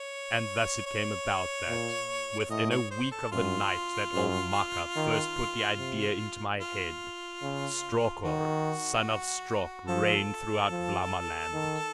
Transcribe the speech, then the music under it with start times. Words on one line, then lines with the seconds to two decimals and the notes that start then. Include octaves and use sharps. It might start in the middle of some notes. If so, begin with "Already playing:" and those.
And thus it came about that, within a week of the night that old Maka first put the idea into my head, Strokor, son of Strok, reigned throughout Vlamaland.
Already playing: C#5
0.86 C#5
1.68 A#2
2.40 C#5
2.50 A2 D#5
2.71 C#5
2.91 C5
3.12 A4
3.32 F#2 F4
4.14 F#2
4.96 D#3
5.78 C3
6.61 F4
7.42 C#3
8.25 D#3 F#4
9.88 F3 A4
10.71 F3
11.53 D#3